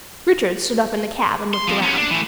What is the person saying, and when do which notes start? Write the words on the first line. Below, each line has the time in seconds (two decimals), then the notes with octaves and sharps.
Richard stood up in the cab and looked around.
1.54 C6
1.68 F3 C4
1.82 B3 C#4
1.97 D4
2.11 E3 A3